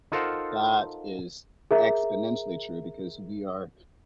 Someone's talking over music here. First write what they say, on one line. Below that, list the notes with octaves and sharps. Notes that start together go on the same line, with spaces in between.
That is exponentially true, because we are
D#4 F4 A4 A#4 C5 F#5
G#4 A#4 E5 A#5